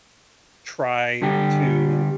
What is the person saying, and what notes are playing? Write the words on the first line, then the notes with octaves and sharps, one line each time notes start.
try to,
D3 G3 G4